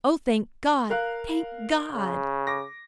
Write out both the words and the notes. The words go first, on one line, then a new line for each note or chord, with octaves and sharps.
Oh, thank God, thank God!
A#4 F5 F#6
C#3
D6 A#6